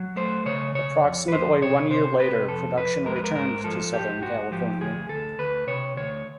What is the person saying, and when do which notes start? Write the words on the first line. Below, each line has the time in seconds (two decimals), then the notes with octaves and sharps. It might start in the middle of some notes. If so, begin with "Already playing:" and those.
Approximately one year later, production returned to Southern California.
Already playing: F#3
0.16 A3 C5
0.46 C#3 C#5
0.75 C#3 C#5
1.04 F2
1.28 B4
1.32 F2 C5
1.61 C3 C#5
1.91 C3 C5
2.20 C3 B4
2.49 F2 A4
2.77 F2 B4
3.06 G#3 A#4
3.16 B4
3.24 A#4
3.35 G#2 A#4
3.64 F3 A4
3.93 G#2 G4
4.22 G#2 F#4
4.52 F3 G4
4.81 D2 G#4
5.09 D2 A4
5.39 D2 B4
5.67 C3 C#5
5.97 D2 C#5